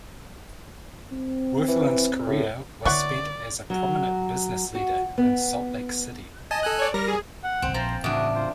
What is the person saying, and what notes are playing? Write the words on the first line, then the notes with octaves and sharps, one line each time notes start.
Wirthlin's career was spent as a prominent business leader in Salt Lake City.
C4
E3
A2
D3 B3 E4 C#5 D5 F#5 C#6
F#3
F#4
B3
D#5 G#5 A5
A4 G#5 F#6
C#5 D5
G3 A#4 A#6
G#4
F#5
G1 C2 C4
A#1 F3 C5 A#5
E2 A2 C#3 D4 F#4 D#6
F4 C5